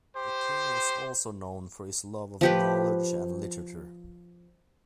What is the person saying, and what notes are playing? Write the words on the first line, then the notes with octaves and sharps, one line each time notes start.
The king was also known for his love of knowledge and literature.
G4 C5
F3 G4 B4